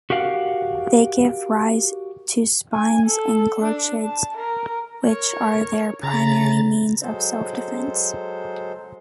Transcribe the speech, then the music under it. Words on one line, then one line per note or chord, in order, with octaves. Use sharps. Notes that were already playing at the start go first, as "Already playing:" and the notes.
They give rise to spines and glochids, which are their primary means of self-defense.
F#4 G4 A#4 F5 F#5
G#5
A4
D4
A5
A#4
A#4 C#5
C#3 A#5 B5 A6
F#3 G#3 A4 C5